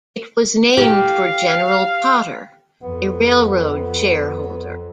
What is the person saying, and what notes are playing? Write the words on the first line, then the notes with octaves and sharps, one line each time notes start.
It was named for General Potter, a railroad shareholder.
G4 F5
F2 B3